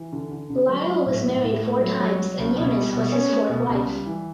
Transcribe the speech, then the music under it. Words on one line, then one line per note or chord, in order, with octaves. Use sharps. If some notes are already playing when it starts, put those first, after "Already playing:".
Lyle was married four times and Eunice was his fourth wife.
Already playing: E3
D3
D3
D3
F#3
F#3
A2
A2
A2
A3
F#3
F#3
F#3
C#2
B2
G3
B2
C#4
A3
B2
C#2
G3
E3